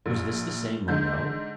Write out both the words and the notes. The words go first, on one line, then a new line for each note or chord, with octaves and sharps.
Was this the same Moreau?
A#1
G#2 D3 G6